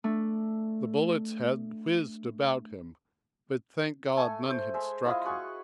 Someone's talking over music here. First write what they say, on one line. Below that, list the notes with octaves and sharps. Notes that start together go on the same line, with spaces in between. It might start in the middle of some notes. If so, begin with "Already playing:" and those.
The bullets had whizzed about him, but, thank God! none had struck him.
A3 D4
A3 A4 G#5 C#6
C5
G#3 E5
E4 F4 D#5 F5
F#4 G#4 F#5 C#6